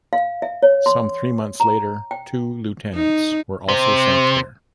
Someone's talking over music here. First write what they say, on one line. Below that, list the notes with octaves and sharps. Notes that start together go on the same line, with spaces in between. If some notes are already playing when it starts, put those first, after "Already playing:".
Some three months later, two lieutenants were also sent there.
F5
E5
C#5
C6
A#5
G5
D#4
C3 C5